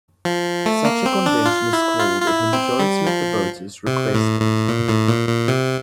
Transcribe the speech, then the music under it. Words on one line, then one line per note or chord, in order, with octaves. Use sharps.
Such a convention is called if a majority of the voters request it.
F3
A3
A#3
C4
D4
F4
E4
F4
F4
E4
C4
G3
F3
C3
A2
A2
A#2
A2
A#2
A#2
C3